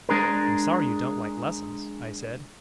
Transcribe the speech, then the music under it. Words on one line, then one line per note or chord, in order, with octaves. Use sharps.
"I'm sorry you don't like lessons," I said.
G#3 D4 G#4 A#4